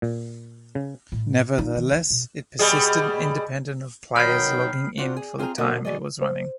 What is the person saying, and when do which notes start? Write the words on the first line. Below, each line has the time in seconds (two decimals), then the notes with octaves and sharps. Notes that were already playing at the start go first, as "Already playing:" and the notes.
Nevertheless, it persisted independent of players logging in for the time it was running.
0.02 A#2
0.75 C#3
1.12 A2
1.58 D#4
1.76 D#3
1.92 D2
2.10 B2
2.59 B2 G3 G#4
4.16 B2 D#3 F#3 D#5 G5 B5 F6 C7
4.98 C4 D4 F4 F#4
5.17 G#4
5.38 C4 F4 G#4 F#5 A#5
5.58 B2 D3 F3 A#3 F#4 D#5
5.85 D3 F#3 G#4 D5 D#5
6.22 C5